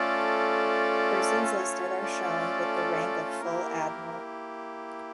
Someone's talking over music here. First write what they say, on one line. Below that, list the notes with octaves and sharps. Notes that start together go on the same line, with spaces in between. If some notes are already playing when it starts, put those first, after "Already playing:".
Persons listed are shown with the rank of full admiral.
Already playing: A3 C#4 F4 A4 D5
C#5
D5
A#3 E4 G4 A#4